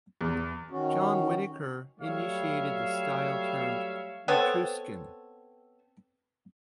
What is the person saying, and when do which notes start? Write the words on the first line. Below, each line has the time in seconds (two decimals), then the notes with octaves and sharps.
John Whitaker initiated the style termed Etruscan.
0.21 E2
0.71 D#3 C#4 F#4
2.00 F#3 G3 A3 C#5 E5 F5
4.28 B3 C4 A4 C#5